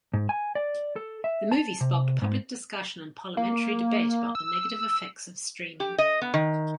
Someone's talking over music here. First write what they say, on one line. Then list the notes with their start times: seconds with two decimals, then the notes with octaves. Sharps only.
The movie sparked public discussion and parliamentary debate about the negative effects of streaming.
0.14 G#2
0.29 G#5
0.55 D5
0.96 A4
1.24 E5
1.51 A5
1.81 C3
2.22 G#2
3.37 A#3
4.35 E6
5.80 G4
5.98 D#5
6.21 B3
6.34 D#3